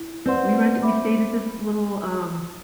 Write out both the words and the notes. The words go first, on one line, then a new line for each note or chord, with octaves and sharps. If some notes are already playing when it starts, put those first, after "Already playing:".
we rent we stayed at this little, um,
Already playing: E4
C4 B4 D5 F#5 C6
C5 E5 B5 D6